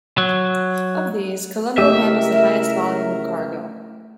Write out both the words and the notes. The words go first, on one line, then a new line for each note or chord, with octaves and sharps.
Of these, Colombo handles the highest volume of cargo.
F#3
C#2 A3 E4 G4 A#4 D#5 E5